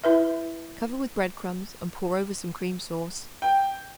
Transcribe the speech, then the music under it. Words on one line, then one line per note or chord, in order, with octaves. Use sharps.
Cover with bread-crumbs and pour over some cream sauce.
E4 B4 E5
G5